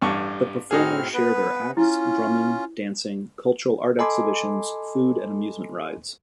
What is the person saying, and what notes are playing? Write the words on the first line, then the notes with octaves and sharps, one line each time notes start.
The performers share their acts, drumming, dancing, cultural art exhibitions, food and amusement rides.
A1 G2 C#6
A2 C4 D#4 F#4 G#4 F6
B3 B4
C#4 E4 F4
A4 D#5 G#5 B5 C6 D6